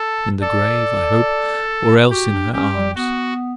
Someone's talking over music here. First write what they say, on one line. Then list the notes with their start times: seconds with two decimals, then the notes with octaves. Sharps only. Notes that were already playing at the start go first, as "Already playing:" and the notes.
In the grave, I hope, or else in her arms.
Already playing: A4
0.41 A4 D5
2.11 F#4 G4
2.32 D4
2.53 C#4 G4
2.74 G3
2.95 B3 F#4